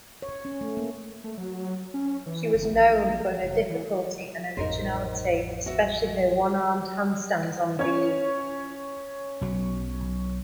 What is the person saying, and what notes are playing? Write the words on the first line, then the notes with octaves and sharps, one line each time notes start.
She was known for her difficulty and originality, especially her one-armed handstands on beam.
C#5
C#4
A3
A#3
A3
F#3
C#4
E3
G1
A#1
F1
E3
A1 F2 D#4 A#4 C5
F#4 E5
C#4 C#5
B1 F#3